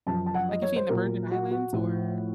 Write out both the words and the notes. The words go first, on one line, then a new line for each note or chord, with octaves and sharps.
Like is she in The Virgin Islands or
F#2 F3 A5
A5
F#5
D#5
C#5
C5
A#2 F#3 A#4
F#4
F#4
A2 F3